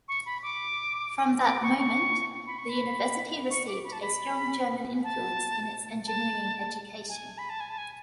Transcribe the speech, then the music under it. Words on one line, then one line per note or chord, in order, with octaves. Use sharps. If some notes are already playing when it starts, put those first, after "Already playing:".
From that moment, the university received a strong German influence in its engineering education.
C#6
B5
D6
D6
C#6
C#6
B5
C#6
B5
C#6
D6
B5
A5
B5
A5
A5
G#5
B5
A5
G#5
A5
G#5